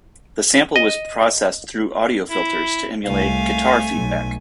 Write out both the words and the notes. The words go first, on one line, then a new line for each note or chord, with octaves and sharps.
The sample was processed through audio filters to emulate guitar feedback.
D#5
E4
C2 A3 F5 G#5
B1